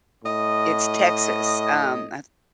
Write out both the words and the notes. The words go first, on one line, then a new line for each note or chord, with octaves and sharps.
It's Texas, um, I th
A2 D#5